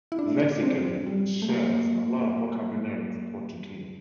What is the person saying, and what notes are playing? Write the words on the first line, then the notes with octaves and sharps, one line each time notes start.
Lexically, it shares a lot of vocabulary with Portuguese.
E4
D4
D4
C4
G3
A3
A#3